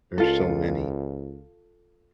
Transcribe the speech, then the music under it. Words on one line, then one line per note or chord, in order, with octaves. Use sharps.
There's so many.
C#2 F4 A4